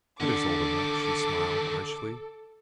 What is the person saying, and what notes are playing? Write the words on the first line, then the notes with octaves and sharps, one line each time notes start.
"That is old enough," she smiled, archly.
D3 D#3 C#4 A4 D6